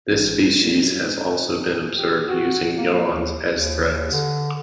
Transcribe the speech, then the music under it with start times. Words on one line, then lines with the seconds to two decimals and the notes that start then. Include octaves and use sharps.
This species has also been observed using yawns as threats.
0.10 A1
0.36 G2
0.63 A#2
0.81 F#2
1.02 G#2
1.97 G4
2.28 F#4
2.75 A#3
3.08 D#2
3.53 D#2
4.12 D3